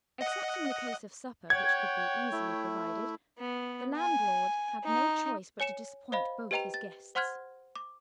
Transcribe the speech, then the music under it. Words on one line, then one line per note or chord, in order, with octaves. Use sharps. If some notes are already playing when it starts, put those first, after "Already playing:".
Excepting the case of supper, which could be easily provided, the landlord had no choice but to disappoint both his guests.
D#5 F#5
C#5 F#5 G5 G#6
A3 E4
B3
G#5
D#4
C#5 G#5 C#7 E7
C5 D#5 F5 B5
G4 B4 D#5 G5 A#5 F7
A6
C5 F#5 C6 F6 F#6 G#6
D6